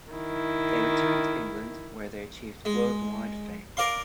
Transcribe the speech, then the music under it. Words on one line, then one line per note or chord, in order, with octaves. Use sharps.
They returned to England, where they achieved worldwide fame.
D#3 E4
G#3
A#4 D5 F5 C6